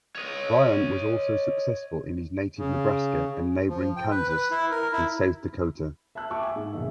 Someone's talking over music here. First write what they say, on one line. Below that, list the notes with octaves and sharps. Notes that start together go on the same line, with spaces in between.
Bryan was also successful in his native Nebraska and neighboring Kansas and South Dakota.
C#5 D#5
C#3
F3
G5
B4
B4
E4
A#4
E4
E5 A5 E6 F#6
E5 G5 A5 C#6 D6
G#5
G#2
B1 E2 D#3 E5